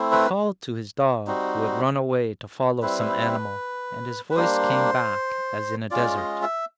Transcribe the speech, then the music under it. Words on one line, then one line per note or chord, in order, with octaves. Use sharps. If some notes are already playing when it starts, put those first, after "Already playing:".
He called to his dog who had run away to follow some animal, and his voice came back as in a desert.
Already playing: A3 C4 E4
B4
G3 C4 D#4 F#4
G3 C4 E4 B4
B4
G3 A#3 D4 C5
G#3 C#4 F4 D5
D#5
E5